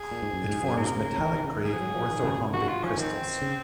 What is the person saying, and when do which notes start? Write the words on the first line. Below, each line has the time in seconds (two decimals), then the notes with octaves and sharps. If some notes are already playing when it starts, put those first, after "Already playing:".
It forms metallic grey orthorhombic crystals.
Already playing: G#4
0.11 A#2
0.22 G#2
0.33 F#2
0.48 G#2
0.63 F#2 G#4
0.77 G#2 A#4
0.88 C3
0.99 C#3
1.11 C#3
1.22 D#3
1.33 D#3
1.44 C#3
1.55 D#3
1.65 G#3 G#4
1.74 F3
1.80 F#3
1.95 F3
2.10 D#3
2.24 C#3
2.39 C3
2.53 D#3 F#4
2.69 F4
2.83 F3 C#4
2.97 D#3 C4
3.42 C#3